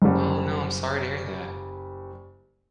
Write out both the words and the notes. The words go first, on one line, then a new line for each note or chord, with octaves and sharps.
Oh, no. I'm sorry to hear that.
F#1 G3